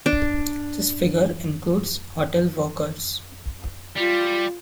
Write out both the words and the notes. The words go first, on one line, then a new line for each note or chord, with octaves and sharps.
This figure includes hotel workers.
D4
G3 F4